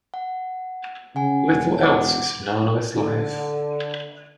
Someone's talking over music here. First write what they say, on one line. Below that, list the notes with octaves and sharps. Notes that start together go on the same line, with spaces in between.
Little else is known of his life.
F#5
C#3 F#5 G#5
E1
F#5 D6
D3